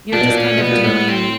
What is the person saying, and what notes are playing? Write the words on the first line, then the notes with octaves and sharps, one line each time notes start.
you're just kind of dealing
A#2 D4
B2
A#2
C#4
B2 B3
A#2
A2 B3
C4